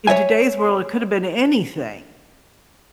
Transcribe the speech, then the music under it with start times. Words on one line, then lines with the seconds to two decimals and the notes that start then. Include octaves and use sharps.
in today's world, it could have been anything,
0.07 C#5 D#5 E5 G#5